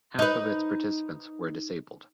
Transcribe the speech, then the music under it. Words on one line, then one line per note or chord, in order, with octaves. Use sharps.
Half of its participants were disabled.
D#4 B4